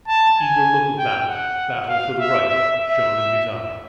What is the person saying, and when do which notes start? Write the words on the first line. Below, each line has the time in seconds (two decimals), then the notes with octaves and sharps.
The eager look of battle--battle for the right--shone in his eye.
0.08 A5
0.38 G#5
0.98 G5
1.29 F#5
1.88 F5
2.19 E5
2.49 E5
2.79 E5